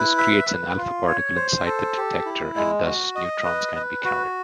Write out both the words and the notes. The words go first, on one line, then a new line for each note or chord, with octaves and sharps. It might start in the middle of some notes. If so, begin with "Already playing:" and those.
This creates an alpha particle inside the detector and thus neutrons can be counted.
Already playing: E4 B4
E5
B4
F4
C#5
C5
A4
G4
E4
G#3
F#4
D#5
B4
B4
F#4